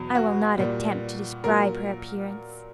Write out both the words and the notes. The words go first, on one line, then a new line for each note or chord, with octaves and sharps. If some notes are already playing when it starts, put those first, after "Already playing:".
I will not attempt to describe her appearance.
Already playing: E2 B2 F#3
F#4
A#2 G3
A#2 F#3 A#4